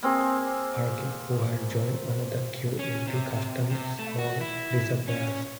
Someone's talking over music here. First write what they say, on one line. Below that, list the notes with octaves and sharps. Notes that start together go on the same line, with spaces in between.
Arkie, who had joined another queue in the customs hall, disappears.
A#3 C4 G#4
C#4
C3
C3
A3
F#4
E4
C#4